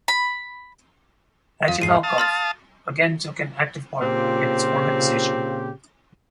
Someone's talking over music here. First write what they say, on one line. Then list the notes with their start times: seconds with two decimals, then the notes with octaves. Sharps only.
Hadjivalkov again took an active part in its organization.
0.08 B5
1.68 F2 F5 D#6
1.82 F2 G#2 C7 D#7
2.03 F5 A5 D#6
2.18 C6 F6 A6
4.01 A#2 C#3 C4 F4 G4